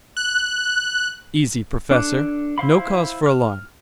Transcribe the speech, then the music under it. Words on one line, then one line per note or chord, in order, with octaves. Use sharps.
"Easy, professor, no cause for alarm."
F#6
D4 A4 D6 F6 F#6
E4 C5 F5 B5
F6